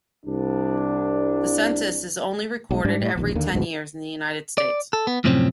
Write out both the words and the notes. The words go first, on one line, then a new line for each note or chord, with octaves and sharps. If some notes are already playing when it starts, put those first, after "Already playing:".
The census is only recorded every ten years in the United States.
C2 D4
B1 G#3
G#2 G3 D4
A2 G3
E1 A#1 D#2
D#2 D3 A#3
G#1 D2 G#2 B2
D5
A4
B3
F#2 A2 C3 F3 C4 C#4